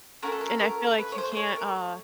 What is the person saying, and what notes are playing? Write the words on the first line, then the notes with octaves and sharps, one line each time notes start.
And I feel like you can't, uh
A3 C#4 F#4 A#4
A4
A#4
A#4
B4
C#5
C5
C5
C#5
A#4